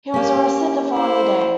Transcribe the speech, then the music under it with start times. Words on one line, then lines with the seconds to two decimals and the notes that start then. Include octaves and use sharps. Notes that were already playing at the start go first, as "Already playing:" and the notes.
He was arrested the following day.
0.14 A#3 C#4 G4
0.91 E4 C5